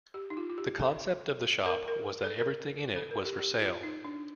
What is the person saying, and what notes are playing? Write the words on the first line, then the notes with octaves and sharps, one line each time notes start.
The concept of the shop was that everything in it was for sale.
G4
D#4
F4
F4
G4
A4
A#4
A#4
A4
A#4
A4
A#4
G4
G4
F4
D#4
D4